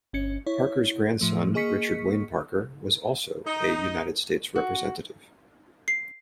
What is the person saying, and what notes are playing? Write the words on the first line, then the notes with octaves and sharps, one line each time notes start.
Parker's grandson, Richard Wayne Parker, was also a United States Representative.
G1 C#4 C#7
E4 C#5
A2 F3 A3
A#3 G#4 D#5 C#6 B6 C#7
D#4
F#4
C7